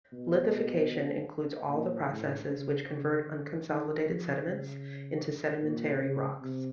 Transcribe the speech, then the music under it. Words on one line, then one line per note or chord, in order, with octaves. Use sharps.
Lithification includes all the processes which convert unconsolidated sediments into sedimentary rocks.
B2
A#2
A2
C#3
C#3
D3
D#3
F3
C#3
A#2
C#3
C3